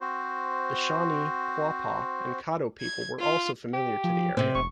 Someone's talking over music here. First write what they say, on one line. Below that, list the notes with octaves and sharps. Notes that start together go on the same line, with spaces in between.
The Shawnee, Quapaw, and Caddo people were also familiar to the area.
C4 F#4 C5
G#6
F4
G4
F3
A2 C3 C4
F1 C#6